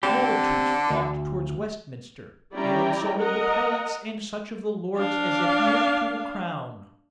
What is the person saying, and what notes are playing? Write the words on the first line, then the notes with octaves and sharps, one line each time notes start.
Multitudes flocked towards Westminster, and insulted the prelates and such of the lords as adhered to the crown.
D3 C4 G4
D2
G3 C#4 E4 D5 G5 A#5
A#4 D#5 F#5 A#5
D4 F5